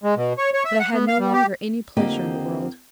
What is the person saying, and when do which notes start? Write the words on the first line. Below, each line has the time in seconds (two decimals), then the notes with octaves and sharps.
But I had no longer any pleasure in the world.
0.03 G#3
0.16 B2
0.38 C#5
0.54 C#5
0.65 E5
0.80 F#5
0.94 B3
1.08 F5
1.19 G3
1.33 G4
1.97 F2 D3 A#3 C4 G4 D#5